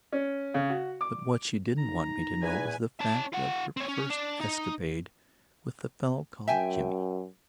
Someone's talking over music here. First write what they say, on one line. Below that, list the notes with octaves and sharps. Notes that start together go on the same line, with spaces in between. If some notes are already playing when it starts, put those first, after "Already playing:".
But what she didn't want me to know was the fact of her first escapade with the fellow called Jimmy.
C#4
C#3
F#4
D6
D#4 A#5
E2 B4 G#5
C#4 A5
F4 F#5
C4 C#5
C#4
D4
D#4
F#2 E5 G5 G#5